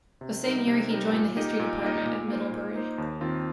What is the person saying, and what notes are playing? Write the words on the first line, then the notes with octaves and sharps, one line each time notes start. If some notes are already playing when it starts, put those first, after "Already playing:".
The same year he joined the history department at Middlebury.
C3
G3 D#4 A#4
C3
G3 D#4 A#4
A#2
A#3 D#4 G4 D#5
A#2
A#3 D#4 G4 D#5
A#2
A#3 D#4 C5
A#2
A#3 D#4 C5
D#2
D#3 C4 F4